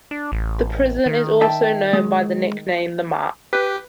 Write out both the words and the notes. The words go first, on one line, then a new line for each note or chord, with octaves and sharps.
The prison is also known by the nickname 'The Map'.
D4
A1
D#3
E5 G5 A5
G#3
G4 B4